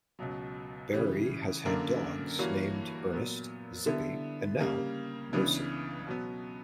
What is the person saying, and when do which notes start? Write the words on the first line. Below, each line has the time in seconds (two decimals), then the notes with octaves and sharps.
Barry has had dogs named Earnest, Zippy, and now Lucy.
0.19 C#2 B2 F#3
0.92 C#3 E3 G3
1.65 F#2 D3 A#3 D4 A#4
2.39 G2 E3 A#3 C#4 F#4
3.13 A#2 F#3 B3
3.86 D3 G3 B3 E4
4.60 C#3 G3 A#3
5.33 C#2 C#3 E3 B3 D4
6.06 B2 F#3 B3